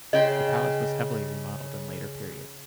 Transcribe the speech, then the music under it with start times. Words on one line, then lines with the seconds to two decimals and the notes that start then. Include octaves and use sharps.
The palace was heavily remodeled in later periods.
0.13 C#3 D#5 G5 C6